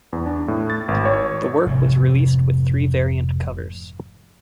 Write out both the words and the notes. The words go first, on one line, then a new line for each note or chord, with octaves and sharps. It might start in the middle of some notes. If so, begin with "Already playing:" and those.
The work was released with three variant covers.
E2
D4
A2
A6
G#1
C#5
F1 G#2 C3